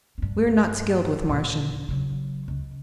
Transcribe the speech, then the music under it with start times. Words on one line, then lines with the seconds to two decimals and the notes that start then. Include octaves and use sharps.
"We are not skilled with Martian."
0.18 G2 C#4
1.29 D#2 A#2
1.88 C#3 F#3
2.48 C#2